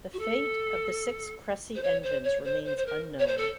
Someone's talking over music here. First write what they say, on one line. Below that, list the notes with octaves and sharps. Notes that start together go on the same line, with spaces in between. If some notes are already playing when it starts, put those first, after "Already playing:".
The fate of the six Crecy engines remains unknown.
F#4
A4
C5
C#5
C5
C#5
C5
C5
C5
A#4
C#5
C5
A4